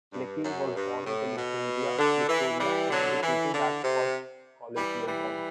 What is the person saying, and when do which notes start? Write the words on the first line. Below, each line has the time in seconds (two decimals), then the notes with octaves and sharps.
Leckie was born at Alexandra, Victoria and educated at Scotch College, Melbourne.
0.13 G2
0.44 F#2
0.76 G2
1.06 A2
1.37 B2
1.99 D3
2.29 E3
2.60 E3 G3
2.91 D3 F#3
3.22 E3
3.53 D3
3.84 C3
4.76 E3 G3
5.07 E3 G3